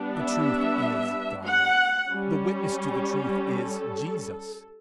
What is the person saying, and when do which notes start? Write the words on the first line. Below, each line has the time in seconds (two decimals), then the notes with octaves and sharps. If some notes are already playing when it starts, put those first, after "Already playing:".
The truth is God; the witness to the truth is Jesus.
Already playing: G3 B3 D4
0.17 E5
1.45 F#5
2.09 G3 C#4
3.39 A4